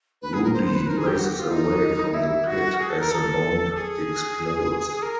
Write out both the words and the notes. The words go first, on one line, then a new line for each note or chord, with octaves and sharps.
Rudy races away from the pit as the bomb explodes.
B4
G#4
A#4
C5
C5
B4
A#4
G#4
G4
F#4
G4
F4
D#4
E4
F#4
G#4
A4
A#4
A4
G#4
A#4